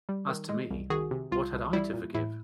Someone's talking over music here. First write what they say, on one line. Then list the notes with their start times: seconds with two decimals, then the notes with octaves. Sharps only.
As to me, what had I to forgive?
0.09 G3
0.28 D#3
0.49 G#3
0.71 C2
0.90 D#3 F#4 G#4
1.11 C3
1.31 C2 F4
1.53 C2
1.73 G3 E4
1.93 A#2
2.15 A2 E4